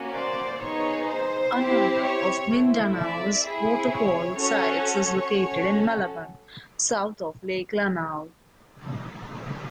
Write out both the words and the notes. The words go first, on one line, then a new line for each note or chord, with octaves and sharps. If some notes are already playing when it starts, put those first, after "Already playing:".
Another of Mindanao's waterfall sites is located in Malabang, south of Lake Lanao.
Already playing: A#3 C#4 F#4
C5 D5
B3 D#4 G#4 C#5
C5
C4 E4 G4
C#5
A3 C4 E4
D5 E5
C4 E4 G#4
C#5
C#4 F#4 A4 C#5
C#5
C#4 F#4 A4